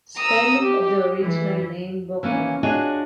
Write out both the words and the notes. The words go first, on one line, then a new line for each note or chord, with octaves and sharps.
Spelling of the original name: “Bokel”.
A#5 D#6 E6
G4
E3
E3 A#3 C#4
D4 F4 F#4 G#4 C#5 D#5